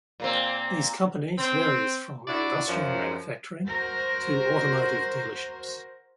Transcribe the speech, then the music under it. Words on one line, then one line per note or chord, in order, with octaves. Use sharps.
These companies varies from industrial manufacturing to automotive dealerships.
A#2 A#3 C4
C4
D4 E4 F#4 D5
F#2 F3
F#4 A#4 C5